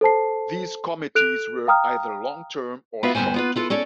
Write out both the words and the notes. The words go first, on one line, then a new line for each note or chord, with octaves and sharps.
These committees were either long-term or short-term.
A4 C5 A5 C7
A4 F#6 D7 F7
F5 G5 A#5 D#6 F6
B3 F4 F#4 B4 E5 F5
D2 G2 B3 C#4 C5 G#5
B3 F4 B4
E4 F4 A4 B4
C#4 A4 C#5 D5